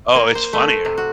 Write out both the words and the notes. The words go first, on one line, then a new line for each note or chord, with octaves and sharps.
Oh, it's funnier.
A#3
C5
A3
C3
F#4